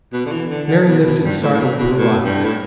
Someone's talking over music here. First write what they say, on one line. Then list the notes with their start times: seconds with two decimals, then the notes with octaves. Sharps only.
Mary lifted startled blue eyes.
0.13 B2
0.26 D3
0.32 E3
0.50 D3
0.68 D3
0.86 B2
1.05 B2
1.23 G2
1.42 A2
1.53 A2
1.60 B2
1.78 B2
1.97 A2
2.25 G2
2.44 A2